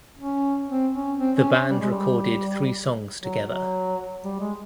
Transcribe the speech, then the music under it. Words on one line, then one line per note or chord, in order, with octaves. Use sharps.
The band recorded three songs together.
C#4
C4
C#4
C4
C#4
C#4
G3
G#3
G3
F#3
F#3
G3
G#3